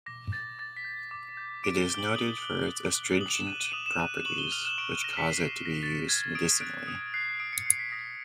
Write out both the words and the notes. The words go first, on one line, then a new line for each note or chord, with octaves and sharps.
It is noted for its astringent properties, which cause it to be used medicinally.
D6 A#6
G6 A6
D6 A6
B6
G6
D6
G6
D6 D7
G7
G6
F#7
D#6 F#7
F#6 G7
D#6
F#6
D#6 F#7
E7
F#6 D#7
D#7
D#6 F7
E7
F#6 D#7
C#6 F#7
G7
F6 F7
E7
C#6 D7
D#7
F6 A#6
B6
C#6 C7
F6
A#6
C#6 A6
F6 G#6
D#6 D7
F#6 D7
D#6
F#6 C7
D#6 D7
C#7
F#6 C7
B6
D#6 A#6